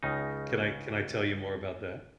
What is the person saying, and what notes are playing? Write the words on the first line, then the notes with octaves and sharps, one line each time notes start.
Can I can I tell you more about that?
C#2 C#3 D#4